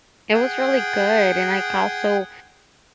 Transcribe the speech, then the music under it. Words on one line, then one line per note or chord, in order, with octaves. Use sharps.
it was really good and I also,
G#4 F#5 G5